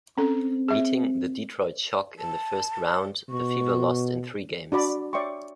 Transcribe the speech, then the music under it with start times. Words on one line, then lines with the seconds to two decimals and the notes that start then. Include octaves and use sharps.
Meeting the Detroit Shock in the first round, the Fever lost in three games.
0.18 C4 C#4 A4
0.68 G#4 E5
2.19 A5
3.30 B2 C#6
4.72 D4 F#4 D5 B5
5.13 C#5 D5 E5 G5 C6 C#6